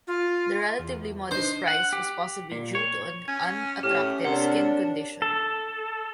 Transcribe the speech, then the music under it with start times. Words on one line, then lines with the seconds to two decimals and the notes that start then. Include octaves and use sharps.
The relatively modest price was possibly due to an unattractive skin condition.
0.07 F4
0.79 E2
1.31 D4 D#4 C5
1.68 F#5
1.93 G4
2.52 A#2
2.75 C#5
3.28 C#4 G#6
3.83 A2 C#4 G4 F6
4.24 C3 D4 A#4 C#5 F#5
5.22 A4